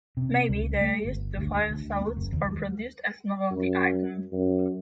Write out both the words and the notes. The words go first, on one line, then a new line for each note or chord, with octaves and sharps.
Maybe they are used to fire salutes or produced as novelty item.
C3
C#2
A3
G1
D2
D2
A#3
F#1
D#2
G#3
F#2
F#2